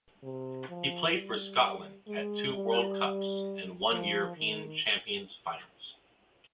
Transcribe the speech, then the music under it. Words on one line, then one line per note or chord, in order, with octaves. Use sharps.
He played for Scotland at two World Cups and one European Champions finals.
C3
F3
G3
G#3
G3
F3
D#3